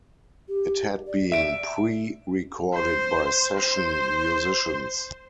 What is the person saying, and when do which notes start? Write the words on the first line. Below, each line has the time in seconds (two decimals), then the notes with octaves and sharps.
It had been pre-recorded by session musicians.
0.48 G4
1.07 D5
1.32 D5 E5 D7
2.73 C5
3.56 C5